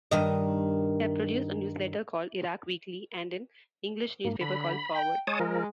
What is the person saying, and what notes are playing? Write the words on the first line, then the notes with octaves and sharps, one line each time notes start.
They have produced a newsletter called "Iraq Weekly"' and an English newspaper called "Forward".
G2 D#3 D#5
G#2 A#3
D3 B5
G5
G#3 C#5 A5 D#6
F3 A#4